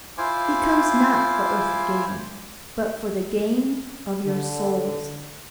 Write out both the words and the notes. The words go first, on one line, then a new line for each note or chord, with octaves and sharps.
He comes not for earthly gain, but for the gain of your souls.
E4 F4 C5 G#5 D6
D3